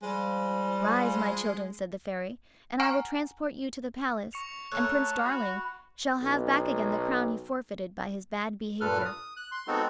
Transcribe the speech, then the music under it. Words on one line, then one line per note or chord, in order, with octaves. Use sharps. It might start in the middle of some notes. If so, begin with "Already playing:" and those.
"Rise, my children," said the Fairy, "and I will transport you to the palace, and Prince Darling shall have back again the crown he forfeited by his bad behavior."
F3 G3 G#3
F#5 G#5 A#5 C#6 F6
C#6 C#7 F7
A3 A4 A#4 C#5 F#6
F#4 B5
B1
G2 A#2 A4 B4 F6
D#6
F#6
C6
G#3 B3 C4 D#4 F#4 A4